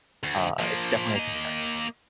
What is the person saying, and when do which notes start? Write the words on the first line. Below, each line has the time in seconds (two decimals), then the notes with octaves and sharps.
uh, it's definitely a concern.
0.23 D2
0.59 F3 A#3
1.15 A#3 D#5